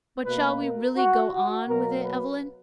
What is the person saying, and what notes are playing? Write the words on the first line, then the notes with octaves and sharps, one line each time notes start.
"But, shall we really go on with it, Evelyn?"
B2 A#3 B4
A#4
F#4
F#4
B2 F#3 A#3 A#4
B4